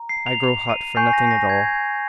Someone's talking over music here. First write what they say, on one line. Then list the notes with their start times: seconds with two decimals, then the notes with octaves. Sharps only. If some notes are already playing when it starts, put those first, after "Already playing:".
I grow hot for nothing at all.
Already playing: A#5
0.09 C7
0.26 F7
0.44 F7
0.70 D#7
0.96 G#5 C#6 G6 C7
1.08 C7
1.13 A#6
1.27 C7
1.31 A#6
1.49 G#6